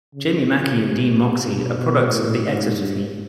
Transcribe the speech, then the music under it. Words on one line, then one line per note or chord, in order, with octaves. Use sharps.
Jamie Mackie and Dean Moxey are products of the Exeter team.
C#3
C#3
C3
B2
B2
A2
G#2
G2